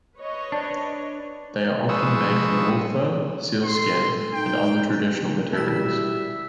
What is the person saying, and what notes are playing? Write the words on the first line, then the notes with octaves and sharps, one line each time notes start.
They are often made from wolf fur, sealskin and other traditional materials.
B4 C#5 D#5
D4 C5 D5 A5
F3 G#3 B4 C#6 D#6 E6
A4 C6
D#4 G5
G3 E4 F#4 E5 B6